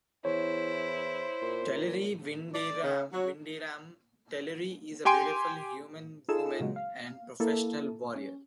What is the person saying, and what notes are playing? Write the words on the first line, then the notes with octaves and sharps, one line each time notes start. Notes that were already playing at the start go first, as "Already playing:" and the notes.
Telerie Windyarm - Telerie is a beautiful human woman and professional warrior.
E2 E4 C5 C#5
A#2
D5
C#3
F#3
G4 G5 G#5 C6 D7
D#4 F4 G#4 A4 E7
A#2 C#3 F#3 G#3
F5
A#3 E4 A4
C#4